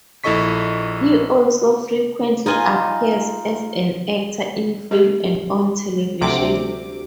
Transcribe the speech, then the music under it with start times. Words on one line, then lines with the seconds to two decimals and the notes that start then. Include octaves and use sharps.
He also frequently appears as an actor in film and on television.
0.24 A#1 E4 A4 D#5 C#6 B6
2.46 D#4 F4 G#5
4.91 G4 D#5
6.21 D2 C3 D6